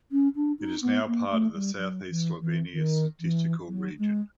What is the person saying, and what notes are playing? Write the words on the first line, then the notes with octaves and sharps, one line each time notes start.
It is now part of the Southeast Slovenia Statistical Region.
C#4
D4
D#4
B3
A#3
A3
G3
F#3
E3
E3
D#3
E3
F#3
G#3